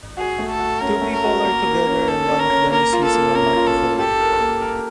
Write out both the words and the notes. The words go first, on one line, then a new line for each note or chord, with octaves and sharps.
Two people are together and one of them is using a microphone.
F#4 G#4
A3
A4
F#4
C#4 A#4
A3
A#4
F#4
A#3
A#3
C#4
C#4 A4
C#4
A#4
C#4
A#3 A#4
F4
A4
A#3
C#4 A#4
F4
A4
A#3
G4 A4
A#4
A#3
A#4